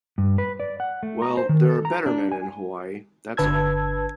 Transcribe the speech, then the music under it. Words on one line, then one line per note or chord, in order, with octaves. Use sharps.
Well, there are better men in Hawaii, that's all.
G2
B4
D5
F#5
A3
A#5
C5
D#3
A4
A#5
D4
G#5
G1 D3 B4 A5 E6 G#6